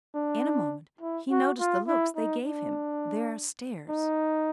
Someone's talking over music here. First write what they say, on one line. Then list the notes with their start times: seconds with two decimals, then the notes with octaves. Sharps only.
In a moment he noticed the looks they gave him--their stares.
0.14 D4
1.01 E4
1.31 F#4
1.60 F4
1.88 E4
2.16 D#4
2.45 D4
3.89 D#4